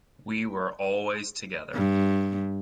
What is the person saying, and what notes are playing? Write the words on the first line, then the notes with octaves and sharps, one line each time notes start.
We were always together.
G2